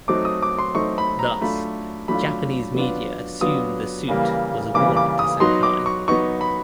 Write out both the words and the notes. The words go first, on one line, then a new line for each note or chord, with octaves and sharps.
Thus, Japanese media assumed the suit was a warning to Sankei.
F#3 A3 C4 D#4 D6
D#6
D6
C6
F#3 A3 C4 D#4 C#6
B5
A#5
F#3 A3 D4 F4 B5
F#3 A3 D4 F4 B5
F#3 B3 D4 F4
F#3 B3 D4 F4 D#6
C#3 E3 G3 A#3
C#3 E3 G3 A#3 D6
D6
D#6
F#3 B3 D#4 C6
D6
C#6
F#3 B3 D#4 C#6
B5